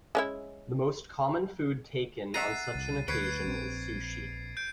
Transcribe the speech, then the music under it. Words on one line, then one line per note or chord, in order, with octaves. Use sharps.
The most common food taken on such an occasion is sushi.
G#3 C#4 E4
E5 F#5 A#5 A6 C7 D#7
C2
D2 B4 C#5 G#6 C7 D7
A#1 C4
G6 D7